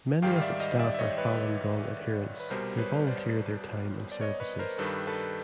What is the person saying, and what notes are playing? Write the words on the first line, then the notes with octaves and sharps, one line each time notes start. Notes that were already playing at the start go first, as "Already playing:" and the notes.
Many of its staff are Falun Gong adherents who volunteer their time and services.
G#2 D#3 G3 F5 G5
F5
D5 E5
D#5 F5
D5 E5
E5
C#5 D#5
B4 C#5
B4
C2 B2 G3 A#4 C5
B4 C#5
C5 D5
D5
C#5 D#5
B4 C#5
A#4 C5
G2 D#3 G3 A4 B4
A4 B4